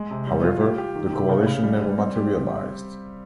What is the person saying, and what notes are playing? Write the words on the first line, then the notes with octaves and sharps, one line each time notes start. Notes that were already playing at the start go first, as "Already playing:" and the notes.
However the coalition never materialised.
Already playing: G#3
C3
G3
F4
G4
G4
D#3
C3
C#3
C#3
G3
G3
C4
G4